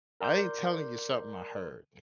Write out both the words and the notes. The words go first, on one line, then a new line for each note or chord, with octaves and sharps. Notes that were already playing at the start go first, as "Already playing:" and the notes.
I ain't telling you something I heard,
A#4 D5 A#5 C6 D6 G6